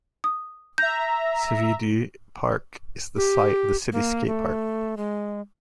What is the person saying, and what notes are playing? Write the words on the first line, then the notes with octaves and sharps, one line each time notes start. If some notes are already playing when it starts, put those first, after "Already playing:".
Cevie Due Park is the site of the city's skate park.
D#6
E5 A#5 G6
G4
A#3
A3
G#3